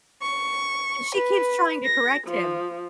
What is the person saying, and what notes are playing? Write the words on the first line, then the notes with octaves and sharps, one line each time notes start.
And she keeps trying to correct him,
C#6
B4
A#6
F3